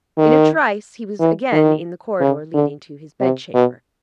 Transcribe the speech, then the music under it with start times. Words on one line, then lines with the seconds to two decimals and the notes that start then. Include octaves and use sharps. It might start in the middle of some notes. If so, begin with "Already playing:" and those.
In a trice he was again in the corridor leading to his bed-chamber.
0.18 D#3
1.20 E3
1.52 D#3
2.20 C#3
2.54 D3
3.21 C3
3.54 B2